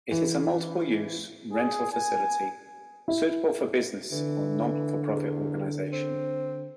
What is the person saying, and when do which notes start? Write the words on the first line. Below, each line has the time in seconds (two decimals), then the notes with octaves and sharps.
It is a multiple-use rental facility suitable for business or not-for-profit organization.
0.12 E3
1.53 G#4
1.93 G#5
3.08 E4
4.12 D3 E3
5.15 E2
5.93 C4